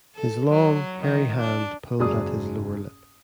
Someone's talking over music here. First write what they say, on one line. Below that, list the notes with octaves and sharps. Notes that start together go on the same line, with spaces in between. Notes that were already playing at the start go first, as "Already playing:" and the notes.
His long hairy hand pulled at his lower lip.
A4
F#3
D#3
D4
F#1 G#2 F#3 G#4 D5 D#6